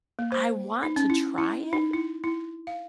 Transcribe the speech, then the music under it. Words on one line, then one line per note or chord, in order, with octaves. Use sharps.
I want to try it,
A#3
C5
D#4
C#4
E4
E4
D#4
E4
E4
F5